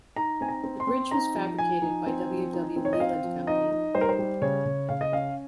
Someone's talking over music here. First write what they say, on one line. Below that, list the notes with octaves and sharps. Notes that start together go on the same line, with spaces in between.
The bridge was fabricated by W. W. Leland Company.
D#4 A#5
C4 G#5
A#5
C4
C6
C4
D#4 A#5
F3
F3 G#5
D#4
C4
F3
D#4
C4
C#5
D#5
C4 F5
F3
D#4 D#5
D#4
G3 C5
A#4
C5
G3
C#3 C#5
C#3
C#3 F5
D#5
C#4 F5